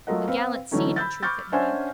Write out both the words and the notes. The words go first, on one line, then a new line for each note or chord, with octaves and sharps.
A gallant scene in truth it made.
F#3 A3 F4 A#4 D#5 F#5
C4 B4 F5
D3 E3 F#3 A3 C#4 D#4
B5 E6 G6 A6
B5 C#6 D6 F6 G6 A6
C#4 D4 C5 E5 F#5 G#5